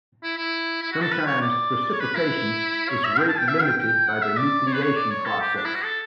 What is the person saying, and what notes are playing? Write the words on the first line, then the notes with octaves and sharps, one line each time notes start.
Sometimes precipitation is rate-limited by the nucleation process.
E4
E4
E4
F#4
A4
B4
C#5
D5
C#5
B4
E4
C#5
E5
G5
A5
G5
E5
G5
G5
F#5
E5
D5
C#5
B4
C#5
D5
C#5
A4
G4
D4
E4
F#4
A4